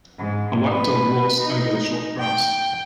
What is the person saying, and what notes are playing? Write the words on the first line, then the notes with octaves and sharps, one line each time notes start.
A white dog walks over the short grass.
G#2
B4
D#4
G5